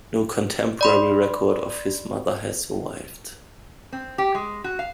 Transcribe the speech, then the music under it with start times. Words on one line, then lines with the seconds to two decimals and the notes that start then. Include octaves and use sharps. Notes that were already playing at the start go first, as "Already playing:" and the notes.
No contemporary record of his mother has survived.
0.81 D5 B5 C6
3.93 C4
4.18 G4
4.35 G#3
4.64 F#4
4.79 F5